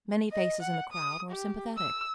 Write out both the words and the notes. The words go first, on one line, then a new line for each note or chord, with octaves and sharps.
Many faces in the crowd were sympathetic.
D#5
F#5
D#6
G4
E6